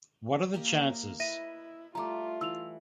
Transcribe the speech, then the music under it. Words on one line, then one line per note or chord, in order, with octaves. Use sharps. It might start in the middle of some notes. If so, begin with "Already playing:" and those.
What are the chances?
A#3 G4 A#4 D#5
E4 B4 D#5 E5 A#6 D#7
G3 A3 F4 A#5 D6
E3 E6 F7